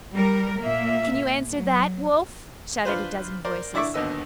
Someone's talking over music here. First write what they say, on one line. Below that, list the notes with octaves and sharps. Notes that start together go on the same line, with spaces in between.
'Can you answer that, Wulf?' shouted a dozen voices.
G3 A#4
A#2 A#3 E5
F#3
D4 F4 B4 C5
A#4 C5 D5
D3 E4 D5 E5 C#6 D6
G#1 D#2 D3 B3 D#5 E6